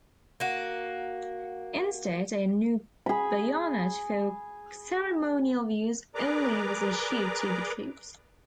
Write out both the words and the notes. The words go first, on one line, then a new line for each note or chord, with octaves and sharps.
Instead a new bayonet for ceremonial use only was issued to the troops.
A#3 F#4
G#4 B5
G#4 A#4 B4 D5 A#5 D6